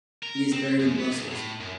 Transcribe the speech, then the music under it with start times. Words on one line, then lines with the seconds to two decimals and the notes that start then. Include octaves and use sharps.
He is buried in Brussels.
0.23 A#4
0.53 C4
0.80 F#2
0.98 B3
1.12 B1
1.31 A2
1.60 F#2